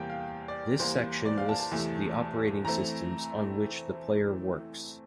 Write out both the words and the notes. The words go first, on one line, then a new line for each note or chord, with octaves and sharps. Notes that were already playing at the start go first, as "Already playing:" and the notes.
This section lists the operating systems on which the player works.
Already playing: E2 C3 G3 A#3 G5
F5
D5
E2 E3 G3 A#3 C5
D5
F5
A5
A5
E2 C3 E3 A3
E3 A3 C4 A#5